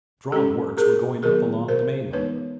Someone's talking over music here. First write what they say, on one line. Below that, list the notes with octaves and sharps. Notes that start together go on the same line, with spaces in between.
Strong works were going up along the mainland.
G#3 C#4 G4 A4
G#4 A#4
D#3 F#3 B3 G#4 A#4
A#4 C5
E3 G#3 B3 D#4 B4 C#5